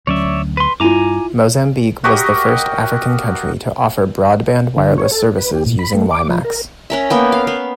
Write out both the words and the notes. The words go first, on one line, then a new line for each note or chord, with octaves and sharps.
Mozambique was the first African country to offer broadband wireless services using WiMax.
D2 F#3 C#4 C#5 D5 E5
B4 C6
G2 E4 F4 G#5 A#5 D6
F#4 G4 A#4 D#5
D3
C#5
A4
B4
G4
A#2
B5
A3
D6
F3
A#4
C#4 A#4 E5
A#3 B3 G5
F5
B3